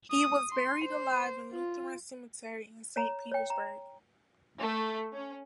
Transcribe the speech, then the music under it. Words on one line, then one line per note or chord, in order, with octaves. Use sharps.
He was buried in the Lutheran cemetery in Saint Petersburg.
D#6
C6
C5
F4
C#5 A#5
C#5 G5
A#5
A3
C#4